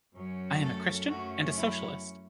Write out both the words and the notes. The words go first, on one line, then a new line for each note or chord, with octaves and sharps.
I am a Christian and a Socialist.
F#2 F#3 C#4
A3 A4
F#2 F#3 A3 C#4 F#4
E4